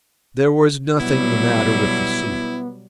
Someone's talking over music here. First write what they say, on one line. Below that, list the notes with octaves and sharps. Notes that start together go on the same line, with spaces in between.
There was nothing the matter with the soup.
B2 F#3 G3 B3 E4